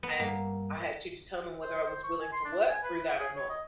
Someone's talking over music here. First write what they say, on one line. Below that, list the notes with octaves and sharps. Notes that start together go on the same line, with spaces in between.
and I had to determine whether I was willing to work through that or not.
B3
G2 A#3
C5
C5
C#6
G#5
C6
D4
G#5
B4
G#4
C#5
D#5